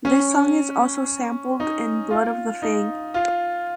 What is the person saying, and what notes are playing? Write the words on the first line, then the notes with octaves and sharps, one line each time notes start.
This song is also sampled in "Blood of the Fang".
C#4
D#4
F4
D#4
F4